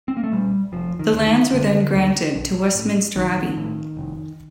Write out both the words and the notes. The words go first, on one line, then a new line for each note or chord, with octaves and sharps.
The lands were then granted to Westminster Abbey.
C4
A#3
A3
A#2 G3
F1 F3
D#3
D#2 D3
D#3
F1 D3
D#2 D3
A#1
A2
A#1 D#3
A2
F1